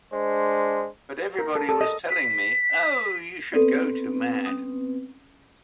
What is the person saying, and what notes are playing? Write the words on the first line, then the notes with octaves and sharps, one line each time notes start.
But everybody was telling me, 'Oh, you should go to "Mad".
G#3 D4 C5
A#4
A4
A4
D#5
B6
B3 C4 A4 B4 D5
C#4 D#6